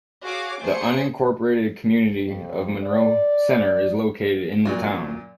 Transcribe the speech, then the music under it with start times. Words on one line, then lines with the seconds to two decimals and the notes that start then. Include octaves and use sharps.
The unincorporated community of Monroe Center is located in the town.
0.23 F#4 G#4 C#5 F5 D6
0.60 A3 G#4 C5 C#7
2.26 F2
2.82 D5
4.65 F#2 A#2 F4 F#4